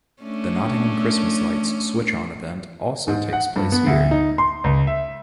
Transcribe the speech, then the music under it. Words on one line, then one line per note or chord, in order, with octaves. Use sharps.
The Nottingham Christmas Lights switch-on event also takes place here.
A3 C#4 D4
G#2
F#5
G2
B3
D2
D#4
C6
C#2
E5